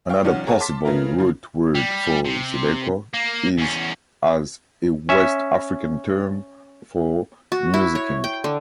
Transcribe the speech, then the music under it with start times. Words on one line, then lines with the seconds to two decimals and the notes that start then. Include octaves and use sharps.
Another possible root word for zydeco is as a West African term for "musicking".
0.09 F5 G5 C#6
0.25 C2 D#3 F3 C#4 F#5 F6
0.47 G#4 A#4 C#5 F#5 G#5 A5
0.60 A5 C6 D6 B6
0.85 C#3 A3 B3 A#4
1.18 C#3 F3
1.75 G3
2.25 C3
3.14 A#3
3.58 E2 C#4
5.09 C#4 E5
7.52 F#4
7.74 E4
7.95 C#5
8.24 G5
8.44 D3